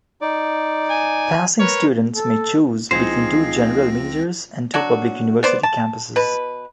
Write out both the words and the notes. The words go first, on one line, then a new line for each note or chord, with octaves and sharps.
Passing students may choose between two general majors and two public university campuses.
D#4 D5
G#5
A#4 B4 C#5
A4
C#2 F3 C4 D#4 G#4 C5 A#6
F#3 D4 F#4
B3 C5 D5
A5
B2 B4